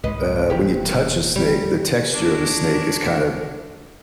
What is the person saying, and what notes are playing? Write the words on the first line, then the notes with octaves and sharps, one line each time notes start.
uh, when you touch a snake, the texture of a snake is kind of
C2 G#2 G#3 B4 D#5
E1 E2 A#2 G4
G3
D4 A#4 C#5